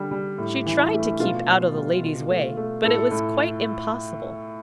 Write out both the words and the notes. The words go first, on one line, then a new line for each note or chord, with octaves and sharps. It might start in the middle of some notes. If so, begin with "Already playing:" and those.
She tried to keep out of the lady's way, but it was quite impossible.
Already playing: D3 G3
G3
A2
E3
A3
B2 F4
B2
G3
B2
A3
A3
A2 A4
A2